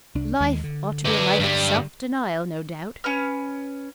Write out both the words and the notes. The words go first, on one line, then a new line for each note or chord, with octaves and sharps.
Life ought to be a life of self-denial, no doubt.
C2 D4
D#2 D#3 G#3
D3
B4 D5
G2 G3
C#4 B4 F6